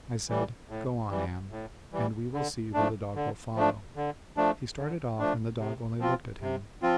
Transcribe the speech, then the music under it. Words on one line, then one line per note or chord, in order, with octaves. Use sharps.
I said, "Go on Am, and we will see who the dog will follow." He started off and the dog only looked at him.
E3 G3
A2
E3 G3
A2
E3 G3
D3
F3 A3 D4
D3
F3 A3 D4
D3
F3 A3 D4
D3
F3 A3 D4
C3
F3 C4 F4
C3
F3 C4 F4